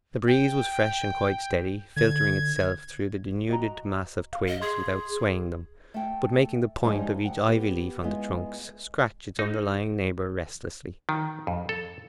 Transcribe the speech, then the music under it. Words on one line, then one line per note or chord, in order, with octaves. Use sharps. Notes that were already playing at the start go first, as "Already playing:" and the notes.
The breeze was fresh and quite steady, filtering itself through the denuded mass of twigs without swaying them, but making the point of each ivy-leaf on the trunks scratch its underlying neighbor restlessly.
G5
D3 G#6
F#4 D#5 G5 A#5
F5
D#5
G#4 C6 G#6
A3 G5
F3 G3 G#3 D#4
D2 F#5 G5
B3 G4
G#3 B3 E4 F4
D#4
D#3
F2
A4